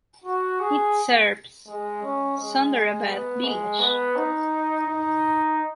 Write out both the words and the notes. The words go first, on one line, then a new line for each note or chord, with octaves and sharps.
It serves Sunderabad village.
F#4
G#4
G#3
C#4
G#3
B3
G#3
B3
D#4
D#4